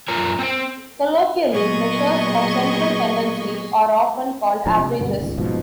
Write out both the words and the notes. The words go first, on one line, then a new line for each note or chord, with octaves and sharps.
Colloquially, measures of central tendency are often called averages.
F#2 F4 A#4 C#5 A#5
C4 C5 F#5 G5
A#2 F#3 B3 G#4 D#5 C#6
E1 A2 F3 D4
C3
D2 G2 B2 B3
G#1 C#2
F#1 G#2 B2 F3